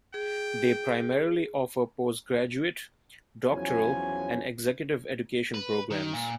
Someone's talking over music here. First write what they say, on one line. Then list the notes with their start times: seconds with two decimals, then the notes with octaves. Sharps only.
They primarily offer postgraduate, doctoral and executive education programmes.
0.14 G#4 G5
3.51 E2 F3 F#3 C#4 E4 G#5
5.54 B4
5.91 D#3
6.14 A#2